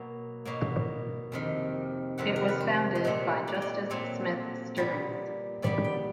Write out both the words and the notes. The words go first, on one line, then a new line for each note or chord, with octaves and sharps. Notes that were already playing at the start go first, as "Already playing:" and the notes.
It was founded by Justus Smith Stearns.
Already playing: B2 F#3 A#3
B2 F#3 A#3
F2 C3 D#3
F2 C3 D#3 F#5
A#4
B4
C5
D#5
A#2 F#3 A3 C4 D5
D5
D#5
D5
A#2 F#3 A3 C4
A#2 G3 B3
A#2 G3 B3 D5
G5